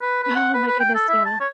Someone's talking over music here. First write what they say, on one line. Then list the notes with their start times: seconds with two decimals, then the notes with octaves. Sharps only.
Oh my goodness, yeah.
0.01 B4
0.23 B4
0.35 F#5
0.54 B4
0.67 B4
0.80 G5
0.94 A4
1.08 E5
1.25 A5
1.40 C#5